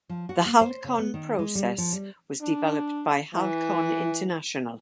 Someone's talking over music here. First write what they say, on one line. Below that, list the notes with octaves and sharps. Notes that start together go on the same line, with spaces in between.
The Halcon process was developed by Halcon International.
F3
F#4
A#3
C5
C#3
B3
D#3
G#3
G3
F3
G3
D4
E3